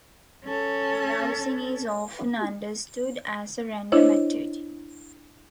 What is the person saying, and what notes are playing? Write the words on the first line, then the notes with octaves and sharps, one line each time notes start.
Browsing is often understood as a random activity.
C#4 A4
D4 E4 C5 C#5 D#5